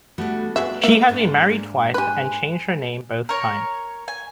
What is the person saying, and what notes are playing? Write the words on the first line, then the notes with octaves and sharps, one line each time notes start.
She has been married twice and changed her name both times.
G3 A3 B3 D4 F#4
F#4 G#4 B4 C5 E5
A#3 E5
G#2 D4 G#4 C5
G4 B4 G#5 C6 F#6
A#4 C#5
G#5